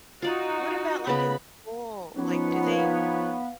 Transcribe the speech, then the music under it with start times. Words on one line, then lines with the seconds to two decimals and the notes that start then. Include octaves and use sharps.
What about, like, in school, like, do they
0.22 D#4 F4 F#4 D5
1.07 C#3 B3 B5
2.17 F3 B3 C#4 D#4 C#5
2.71 B4 F5 F#5